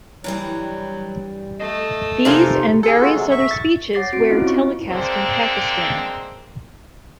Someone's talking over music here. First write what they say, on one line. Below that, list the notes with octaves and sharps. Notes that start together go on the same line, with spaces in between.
These and various other speeches where telecast in Pakistan.
G2 E3 F#3 G3
A3 D#5
C3 B3 D#4 F4 A4 A#4 G#5
G#4 A4
B3 F4 F#4
C3 F#3 G#3
E5 C#6
A6
C#5 F#5 D6 A6 A#6 C7
C4 F#4 D7
C#4 E4 F4 D#5
C4 C#6
D3 G#3 A#3 C4